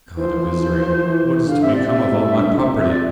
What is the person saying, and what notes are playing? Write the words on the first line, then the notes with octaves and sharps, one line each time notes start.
"God of Israel! what is to become of all my property?"
E3 C5
F3
E3
F3
E3
F3
E3
F3
E3
F3
E3
D3 F5
C3 E5
D5
C3
E5
C3
A2
G2
G2
F2
F2 E5
D5